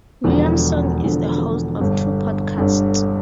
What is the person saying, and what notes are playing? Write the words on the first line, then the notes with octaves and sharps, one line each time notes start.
Williamson is the host of two podcasts.
E1 E2 D3 F3
E1 E2 D3 F3
G1 G2 D3
G1 G2 D3